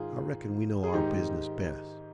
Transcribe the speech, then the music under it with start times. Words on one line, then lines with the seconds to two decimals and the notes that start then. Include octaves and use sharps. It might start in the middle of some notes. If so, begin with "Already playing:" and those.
I reckon we know our business best.
Already playing: G#2 D#3 F4 G#4
0.84 G#4
0.93 G#2 D#3 D#4 G4